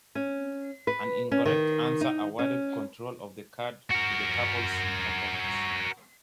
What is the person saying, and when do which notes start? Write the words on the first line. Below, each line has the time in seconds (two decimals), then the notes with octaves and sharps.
An incorrect answer awarded control of the card to the couple's opponents.
0.15 C#4
0.87 B4
1.32 C#4
1.46 D#3
2.01 D#4
2.39 C#4
3.91 F#4 A#4